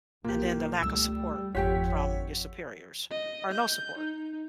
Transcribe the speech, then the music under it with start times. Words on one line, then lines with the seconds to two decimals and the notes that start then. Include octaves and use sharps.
and then the lack of support from your superiors, or no support.
0.24 B1 A#3 F4 G4
0.83 C#2 G3 A3 E6
1.55 G#1 F2 F4 G4 C#5 F#5 G5 B6
3.11 D#5
3.51 G6
3.98 D#4